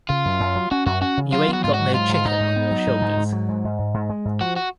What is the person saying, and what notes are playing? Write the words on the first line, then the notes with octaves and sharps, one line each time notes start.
You ain't got no chicken on your shoulders.
C#3 F4
F#2
F#2
F#3
C#4 F#4
F#2 F#4
C#4 F#4
C#3
F#3 F4
B3 F#4
G#2 F4
F#4
F#3
G#2 F4
G#2
F4
G#2 D#4
G#2
B3
F#3
G#2
G#2
G#2
F#3
G#2
G#2
G#2
G#2
G#3
G#2
F3 F#4
F#4